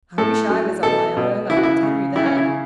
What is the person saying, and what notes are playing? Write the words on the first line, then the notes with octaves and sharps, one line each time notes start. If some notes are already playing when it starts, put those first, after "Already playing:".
"I wish I was on my own, I can tell you that."
A2 A4
F#3
B2 A4
B2
C#3 E4
F#4
E4
C#3
C#3 E4
C#4
E4
C#3